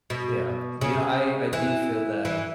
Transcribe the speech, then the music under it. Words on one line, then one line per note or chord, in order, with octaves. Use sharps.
Yeah. You know, I I do feel that,
B2
C#3
E3
E3